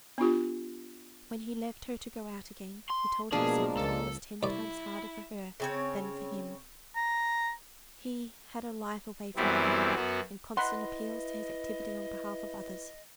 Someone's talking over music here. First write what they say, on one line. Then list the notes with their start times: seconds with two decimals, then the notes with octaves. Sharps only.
When he left her to go out again, he told himself that it was ten times harder for her than for him: he had a life away from home, and constant appeals to his activity on behalf of others.
0.18 B3 D4 F4 G4
2.90 C6
3.32 B2 F3 G#3 A#3 D4 G#4
3.77 C#2 A4
4.43 C2 E4 D5
5.60 C#3 C4 C#5
6.95 A#5
9.36 F#2 E3 G3 B3 C4 E4
9.95 F#2 B3 F#4
10.57 E4 B4 D#5 F#5 B5 C6